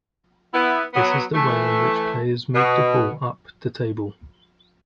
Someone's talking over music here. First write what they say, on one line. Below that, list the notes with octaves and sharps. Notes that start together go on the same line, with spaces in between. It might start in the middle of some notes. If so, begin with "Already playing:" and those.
This is the way in which players move the ball up the table.
B3 E4
F#3 B3
E3 A3
B2